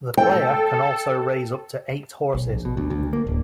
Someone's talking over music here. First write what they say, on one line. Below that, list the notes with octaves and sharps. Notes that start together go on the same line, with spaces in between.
The player can also raise up to eight horses.
A4 G5
B1
A#1
B2
D2
D2
A#3
D1